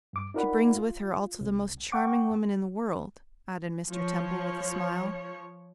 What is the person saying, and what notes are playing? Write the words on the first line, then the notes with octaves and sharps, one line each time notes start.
'She brings with her also the most charming woman in the world,' added Mr. Temple, with a smile.
G2 D6
D#4 F4 A#4 D5 F#5 B5
F4
C2
F#5 G5 C#6 D6
F3 C#5